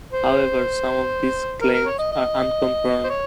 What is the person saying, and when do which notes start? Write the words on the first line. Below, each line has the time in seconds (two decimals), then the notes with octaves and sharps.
However, some of these claims are unconfirmed.
0.13 C5
1.61 A#4
1.74 A#4
1.86 C#5
1.98 D#5
2.12 D#5
3.04 C5
3.10 C#5